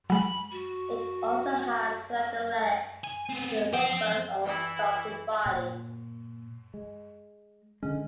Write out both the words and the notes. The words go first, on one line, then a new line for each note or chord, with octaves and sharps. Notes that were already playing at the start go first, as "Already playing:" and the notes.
It also has slender legs with a robust or stocky body.
F#3 G#3 B5
F#4
G#5
B3 C4
F3 C4 C5
E3 E4
A#2
G#3
D3 G#3 C#4